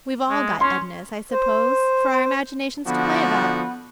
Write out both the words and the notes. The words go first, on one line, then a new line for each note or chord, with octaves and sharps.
We've all got Ednas, I suppose, for our imaginations to play about.
G#3
C#4 C6
C5
D3 F3 B3 F#4